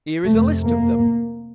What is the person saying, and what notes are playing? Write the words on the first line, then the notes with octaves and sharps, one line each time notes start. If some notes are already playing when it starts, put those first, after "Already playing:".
"Here is a list of them."
F2 C3 A3
A#3